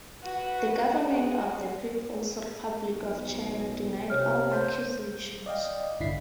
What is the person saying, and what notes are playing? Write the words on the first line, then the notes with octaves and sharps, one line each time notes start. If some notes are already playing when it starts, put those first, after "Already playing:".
The government of the People's Republic of China denied all accusations.
F#4 B4
G#3 F#4
B1
C3 C#5 F6
C5
D5 D#5 F5 G5
A1 G2 D3 E4 B6 C7